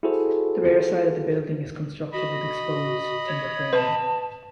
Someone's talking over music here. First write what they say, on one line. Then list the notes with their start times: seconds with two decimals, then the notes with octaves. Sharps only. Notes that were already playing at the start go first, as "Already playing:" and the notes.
The rear side of the building is constructed with exposed timber framing.
0.03 E4 F#4 G#4 A4 C5
2.12 F#4 D#5 B5
3.26 C#5
3.73 B4 A5